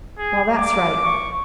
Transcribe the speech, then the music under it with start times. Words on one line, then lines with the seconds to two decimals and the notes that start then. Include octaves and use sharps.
Well, that's right.
0.18 G#4
0.56 D6
1.04 C#6